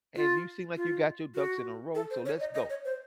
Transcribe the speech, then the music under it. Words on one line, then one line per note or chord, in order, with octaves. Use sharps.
and you seem like you got your ducks in a row, so let's go.
F4
F4
F#4
A4
C5
C#5
D#5
D#5
C#5
C5